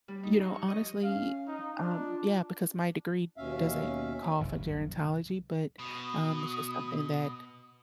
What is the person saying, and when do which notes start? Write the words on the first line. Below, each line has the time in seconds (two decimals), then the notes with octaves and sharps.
you know, honestly um, yeah, because my degree doesn't call for gerontology, but, um, it's just something that
0.08 G3
0.23 D#4
0.38 F2
0.54 C#6
0.68 D#5
1.03 C#4 F5
1.47 D#4
1.79 D4 F4
3.37 D#2 B2 C#4 E5 F5
4.40 F#1 C2 G#2 E3
5.79 B2 D#6